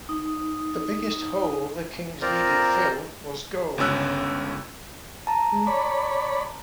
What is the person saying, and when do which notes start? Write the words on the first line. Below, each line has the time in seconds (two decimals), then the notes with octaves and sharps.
The biggest hole the Kings needed fill was goal.
0.09 D#4 D#6
2.21 C4 F4 A#4 C5 D5 A#5
3.78 G1 C#2 C#4 E6 F#6
5.27 A5 A#5
5.52 G#3
5.67 C#5 D5 B5